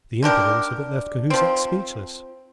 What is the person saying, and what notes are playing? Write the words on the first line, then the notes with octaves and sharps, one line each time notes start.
The impudence of it left Cahusac speechless.
D3 D4 G4 A#4
F3 C4